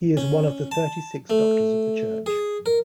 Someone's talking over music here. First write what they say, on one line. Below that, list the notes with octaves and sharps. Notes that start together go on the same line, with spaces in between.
He is one of the thirty-six Doctors of the Church.
C#4
A5
A3
G#4
A#4